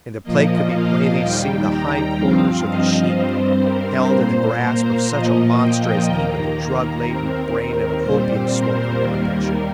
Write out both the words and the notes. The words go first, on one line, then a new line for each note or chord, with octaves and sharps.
In the plate could be plainly seen the hind quarters of the sheep held in the grasp of such a monster as even the drug-laden brain of an opium smoker never pictured.
A#2 F3 A#3 D#5
F5
D#2 D#3 G3 G5
A#5
G2 F3 C4 F5
D#5
G2 G3 C4 C5
A#4
A#2 A#3 C5
A#4
A#2 F3 A#3 D#5
G5
D#2 D#3 A#3 A#4
D#2 D#3 C4
A#4
A#2 G3 C4 C5
A#4
D#2 D#3 G3 A#3